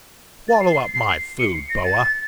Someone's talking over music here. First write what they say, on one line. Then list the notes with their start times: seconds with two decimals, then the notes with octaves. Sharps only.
Swallow up my food, boa.
0.49 A6
0.61 C7
0.72 C7
0.94 C7
1.39 C#7
1.54 C7
1.70 A#6
1.84 A6